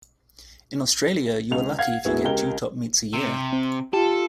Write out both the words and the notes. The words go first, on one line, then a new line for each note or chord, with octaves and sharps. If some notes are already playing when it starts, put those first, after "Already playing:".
In Australia you are lucky if you get two top meets a year.
C#2 F7
F5 F#5 G#6
E1 B3 E4 F#4 G#4
C#2 G4 A#4 G7
C3
C4
F4 G4 A4